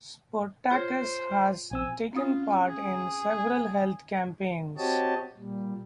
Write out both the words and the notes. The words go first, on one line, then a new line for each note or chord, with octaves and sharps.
Sportacus has taken part in several health campaigns.
F4 G#4 C5 C#5
A#1 C4 G#5 E6
C4 C#4 F4 D#6
G#4
C4 F#4 G4 C#5 D#5 A5
A#2 G3